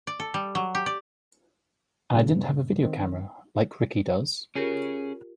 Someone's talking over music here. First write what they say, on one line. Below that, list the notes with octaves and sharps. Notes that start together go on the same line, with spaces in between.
And I didn't have a video camera, like Ricky does...
D5
A4
G3
F#3
G4
D5
G2 A#2 C#3
D#3 C4
C#4 F4 G4 G#4 A#4